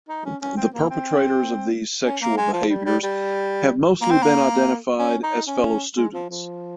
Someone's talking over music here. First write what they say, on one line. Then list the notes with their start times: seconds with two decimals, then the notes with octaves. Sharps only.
The perpetrators of these sexual behaviors have mostly been identified as fellow students.
0.09 D#4
0.25 C#4
0.42 C#4
0.57 C4
0.75 A#3
0.90 C4
2.05 C#4
2.22 A#3
2.37 G#3
2.53 F3
2.70 G3
2.86 G3
3.03 G3
4.01 A#3
4.11 C4
4.22 A#3
4.99 C#4
5.23 D#4
5.47 C#4
5.96 G#3
6.14 F3
6.30 F3